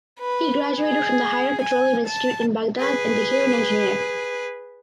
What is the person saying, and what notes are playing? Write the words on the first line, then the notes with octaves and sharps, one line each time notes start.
He graduated from the Higher Petroleum Institute in Baghdad and became an engineer.
B4
G#4
G#5
A5
G#4 B4